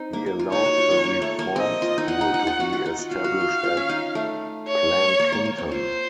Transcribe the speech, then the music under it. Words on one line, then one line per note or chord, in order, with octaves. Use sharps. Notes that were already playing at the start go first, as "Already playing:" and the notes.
He allowed the reform school to be established at Plankinton.
Already playing: C4 D#4
A#3
A#3
F4
D#4 C#5
F#4
F4
F4
A#3
A3
A#3
C4 D#5
F4
D#4
F4 F#5
D#4
D#4
F4
F#4
F4
D#4
F4
F#4 F5
F#4
F4
F#4
F4
C#4
D#4
A3
C#5
A#3
A#3
A#3
C4
F4 C5